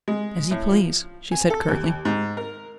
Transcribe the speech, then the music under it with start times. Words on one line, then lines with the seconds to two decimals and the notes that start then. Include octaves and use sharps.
"As you please," she said curtly.
0.08 G#3
0.51 A2
0.72 F3
1.32 G#5
1.50 A4
1.68 D#2
2.05 G#2
2.37 A#4